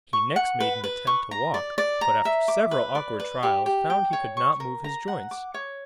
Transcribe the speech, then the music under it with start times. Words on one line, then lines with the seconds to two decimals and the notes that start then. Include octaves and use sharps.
He next made an attempt to walk but after several awkward trials found he could not move his joints.
0.13 C#6
0.36 F#5
0.60 B4
0.84 B4
1.07 C#6
1.31 A#5
1.54 D5
1.78 D5
2.01 A#5
2.25 E5
2.48 D6
2.71 B4
2.95 D5
3.20 B4
3.43 G4
3.66 G4
3.90 G5
4.13 C#5
4.37 C#6
4.60 A#4
4.84 A#5
5.08 F#5
5.31 D6
5.54 C#5